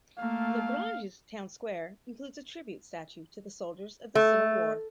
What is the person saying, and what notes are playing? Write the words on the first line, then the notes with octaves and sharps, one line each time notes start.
LaGrange's town square includes a tribute statue to the soldiers of the Civil War.
A3 A#3 F5
A3